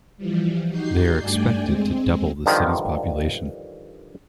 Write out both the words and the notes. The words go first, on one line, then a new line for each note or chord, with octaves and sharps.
They are expected to double the city's population.
E3 F3 G3
D#4 F#4 G4 G6 C7
G2 A3 D4 D5 G5 G#5
G#3 C4
G2 D3 D#3 F3